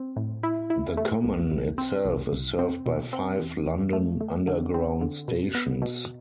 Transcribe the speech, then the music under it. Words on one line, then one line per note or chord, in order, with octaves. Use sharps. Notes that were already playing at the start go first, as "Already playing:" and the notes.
The common itself is served by five London Underground stations.
Already playing: C4
A2
E4
E4
A3
C2
C2
C4
C2
C2
C4
B2
C4
E2
E2
A3
A3
D3
C4
D3
B2
B3
B2